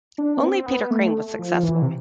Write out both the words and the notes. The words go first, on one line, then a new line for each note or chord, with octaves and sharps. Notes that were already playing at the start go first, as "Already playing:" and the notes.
Only Peter Craine was successful.
D4
B3
C4
B3
A3
F3
E3
C3